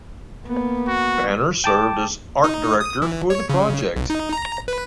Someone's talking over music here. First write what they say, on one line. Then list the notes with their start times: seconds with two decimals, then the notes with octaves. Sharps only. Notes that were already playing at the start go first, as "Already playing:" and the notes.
Banner served as art director for the project.
0.47 A#3 B3
0.88 F#4
1.64 G5 A5 D6
2.44 D#4
2.81 D#6
3.02 E3
3.30 C#5
3.50 C#3
3.96 B1
4.10 D#4
4.33 A#5
4.68 B4